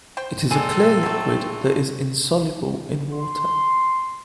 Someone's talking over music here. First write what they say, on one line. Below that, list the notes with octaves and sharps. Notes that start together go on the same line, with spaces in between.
It is a clear liquid that is insoluble in water.
C5 G5
A#2 G#3 C4 G#4 A4
F#3 A3
C6